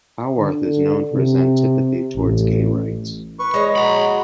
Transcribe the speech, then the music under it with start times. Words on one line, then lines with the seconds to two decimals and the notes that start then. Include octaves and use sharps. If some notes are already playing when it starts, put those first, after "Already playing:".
Howarth is known for his antipathy towards gay rights.
0.39 D3
1.14 C3
2.17 A1
3.39 B4 C#6
3.54 G#3 C#5 D#5
3.76 F#4 A#5 B5